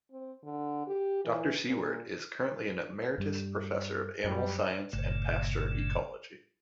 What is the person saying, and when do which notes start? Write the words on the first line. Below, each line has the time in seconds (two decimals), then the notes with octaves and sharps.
Doctor Siewerdt is currently an Emeritus Professor of Animal Science and Pasture Ecology.
0.12 C4
0.44 D3
0.87 G4
1.24 E3
1.67 A#2
3.18 G2 G3
4.24 F#2 G3
4.93 G1 G2 A#2 C#3 A3